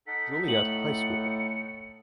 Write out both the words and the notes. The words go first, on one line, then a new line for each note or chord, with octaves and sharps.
Juliet High school.
D#4 A4 F#5 B6
A2 C#7 F#7